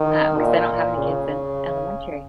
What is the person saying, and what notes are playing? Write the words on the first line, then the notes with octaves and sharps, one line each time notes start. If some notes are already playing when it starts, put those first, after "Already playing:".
um, 'cause I don't have any kids in elementary.
Already playing: D#3
A#2
C#3